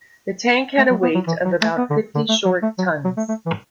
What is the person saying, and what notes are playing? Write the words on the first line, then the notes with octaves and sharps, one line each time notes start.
The tank had a weight of about fifty short tons.
A3
F#3
B3
F#3
E3
F#3
A3
B3
D3
D3
A3
F#3
A3
F#3
F#3
A3
A3
E3